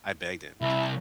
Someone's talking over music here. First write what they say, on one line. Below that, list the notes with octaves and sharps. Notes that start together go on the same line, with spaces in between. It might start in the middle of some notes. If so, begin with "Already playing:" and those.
I begged him. "Ca
C2 E4